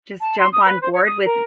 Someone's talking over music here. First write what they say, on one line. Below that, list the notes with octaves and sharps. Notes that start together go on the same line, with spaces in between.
just jump on board with
A5
C6
D#6
B4
C5
C#5
D#6
A#4